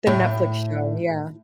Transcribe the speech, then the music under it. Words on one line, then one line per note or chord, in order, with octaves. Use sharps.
The Netflix show, yeah.
A2